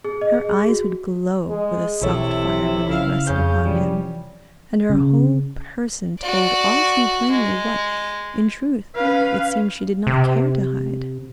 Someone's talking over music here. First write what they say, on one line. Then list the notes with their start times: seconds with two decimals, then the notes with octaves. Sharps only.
Her eyes would glow with a soft fire when they rested upon him, and her whole person told all too plainly what, in truth, it seemed she did not care to hide.
0.04 G#4
0.21 D#5
0.34 G#4
0.49 G#4
0.69 F#4
1.49 G#3
2.02 B1 C3 E3 E4 A4 C#5
2.88 C#3 E4 F5
3.27 F2 C#3 C#4 G6
3.65 C3 E3 F3 G3
4.90 C#3
6.20 F#4 D5
7.31 G#3
8.96 C#4 B4 F5
10.07 C3